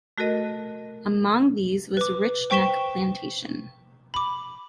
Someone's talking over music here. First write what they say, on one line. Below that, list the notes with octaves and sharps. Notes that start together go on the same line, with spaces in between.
Among these was Rich Neck Plantation.
A3 F#4 A4 A#4 D#5
B4 D6
C5 G5 C#6 B6 E7 G7
B5 D6